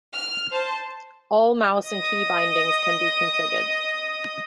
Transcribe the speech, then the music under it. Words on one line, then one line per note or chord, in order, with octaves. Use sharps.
All mouse and key-bindings can be configured.
F6
C5 A5
D#5 D#6